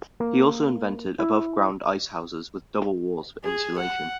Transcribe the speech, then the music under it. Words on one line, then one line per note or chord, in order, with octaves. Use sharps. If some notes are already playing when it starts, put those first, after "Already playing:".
He also invented above-ground ice houses, with double walls for insulation.
A#3
E4
G#4
F#5